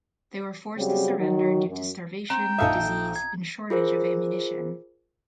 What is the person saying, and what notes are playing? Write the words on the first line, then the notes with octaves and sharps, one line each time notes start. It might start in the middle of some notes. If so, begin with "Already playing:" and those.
They were forced to surrender due to starvation, disease and shortage of ammunition.
C#3 F#3 G3 C4 G4
D#3 F#3
F#2
C4 G5 A#5
A#1 D#4 A4 E5 F5 D#6
G#6
F4 G#4 A#4 C5